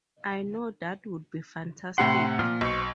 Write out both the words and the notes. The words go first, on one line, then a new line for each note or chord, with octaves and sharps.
I know that would be fantastic.
A2 C3 F#5 C6
A#2 F3 F4 F6
B1 C5 C#6